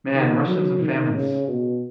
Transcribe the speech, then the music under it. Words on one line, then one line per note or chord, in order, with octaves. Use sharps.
man, Russians and famines.
D#3
F#3
D#3
C#3
B2